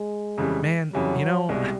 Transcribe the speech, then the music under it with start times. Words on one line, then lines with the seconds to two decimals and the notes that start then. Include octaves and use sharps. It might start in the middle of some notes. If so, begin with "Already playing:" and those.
Man, you know,
Already playing: G#3
0.37 F2 C#3 E3 G3
0.93 F2 C#3 E3 F#3 G3
1.49 C2 B2 G3 G#3